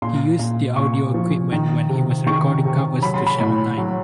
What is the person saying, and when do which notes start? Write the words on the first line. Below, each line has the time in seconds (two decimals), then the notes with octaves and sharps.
He used the audio equipment when he was recording covers to share online.
0.02 A#2 C6
0.39 A#2
0.76 A#2 C#6
1.14 F3
1.52 D#3
1.89 C3
2.26 D#3 C#6
2.65 C3
3.02 F#3 B5
3.14 C6
3.27 B5
3.39 A2
3.77 F#3